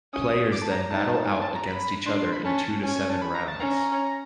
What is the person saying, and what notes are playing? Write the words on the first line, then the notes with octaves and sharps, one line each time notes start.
Players then battle out against each other in two to seven rounds.
C#4 D#6
D6
A5
A#5
D#4 A5
G#5
A5
A#5
B5
D4 C6
C6
B5
C#4 A5
C#4 G#5
G#5
A5
B5
A#5
A5
C#4 A#5